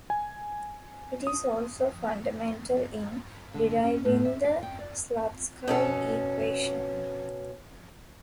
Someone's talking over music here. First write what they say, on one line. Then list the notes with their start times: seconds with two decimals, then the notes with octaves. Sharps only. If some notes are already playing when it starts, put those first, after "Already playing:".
It is also fundamental in deriving the Slutsky equation.
0.10 G#5
1.27 D#6
3.54 D3
3.84 C#4
4.05 A2
4.25 E5
4.45 D5
4.63 G5
4.79 D5
5.68 B2 C#4 A4